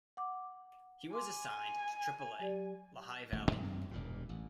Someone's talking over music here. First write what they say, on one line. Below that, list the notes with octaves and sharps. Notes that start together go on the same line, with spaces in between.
He was assigned to Triple-A Lehigh Valley.
F#5 D6
G#5 C6 D6
F#3 G4 D5
D#1 A1 A3
F#2 C4
E1 E2 G2 A#2
A1